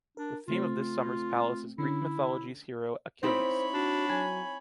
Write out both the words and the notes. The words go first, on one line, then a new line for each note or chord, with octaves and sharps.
The theme of this summer palace is Greek mythology’s hero Achiles.
D4 A#4
C#3 A3 C4 F4
D3 C#4 E4
C4 D#4 E4 C5 C#5 B5
D4 F#4
F#3 G#5